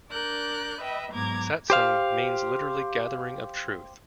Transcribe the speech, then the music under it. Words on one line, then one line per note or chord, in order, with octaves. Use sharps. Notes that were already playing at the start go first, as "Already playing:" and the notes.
Satsang means literally gathering of Truth.
D4 A#4 D5 F#6 G6
B4 D#5 E5 G5 B5
G#2 F#3 B3 A#5 D6 G#6
G4 C5 F5